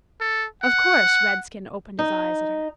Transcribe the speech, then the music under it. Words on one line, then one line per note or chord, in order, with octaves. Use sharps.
'Of course!' Redskin opened his eyes at her.
A4
F#5
D#4